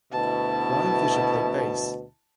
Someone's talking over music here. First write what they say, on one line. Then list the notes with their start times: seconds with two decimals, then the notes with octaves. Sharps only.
Ryan Fisher played bass.
0.12 D2 B2 E4 A5